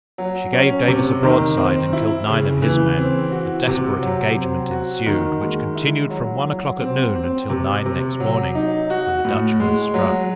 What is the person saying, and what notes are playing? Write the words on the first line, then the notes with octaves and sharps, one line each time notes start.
She gave Davis a broadside, and killed nine of his men; a desperate engagement ensued, which continued from one o'clock at noon until nine next morning, when the Dutchman struck.
F#3
C#4
C3
D#3
C4
E4
C#3
E3
C4
F#4
C3
F#3
C4
F#4
D#3
G#3
E4
F#3
F#3
C4
C4
C3
C3
F#3
D#4
F#4
A2
G#3
F#3